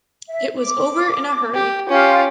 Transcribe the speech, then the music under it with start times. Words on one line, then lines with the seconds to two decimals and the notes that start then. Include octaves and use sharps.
It was over in a hurry.
0.28 E5
0.57 D6
1.55 G4
1.89 C#4 F4 G4